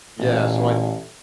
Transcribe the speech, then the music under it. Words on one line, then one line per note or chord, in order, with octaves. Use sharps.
yeah, so, I t
A1 A#2